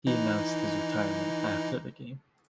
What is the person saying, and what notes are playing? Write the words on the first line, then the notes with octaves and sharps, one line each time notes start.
He announced his retirement after the game.
E3 D#4